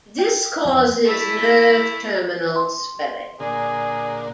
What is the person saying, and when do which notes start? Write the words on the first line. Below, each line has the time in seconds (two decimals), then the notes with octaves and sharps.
This causes nerve terminal swelling.
0.19 G5
0.65 F2
1.05 A3 E4
2.56 C6
3.40 A#2 D3 G#4